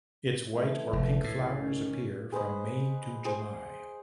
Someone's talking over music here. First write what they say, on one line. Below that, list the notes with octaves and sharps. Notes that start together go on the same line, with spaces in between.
Its white or pink flowers appear from May to July.
E3 A3 C4
F1 C2
A2
D3 D#3 C#4
G#4 B4 C5 D#5
G#4 C5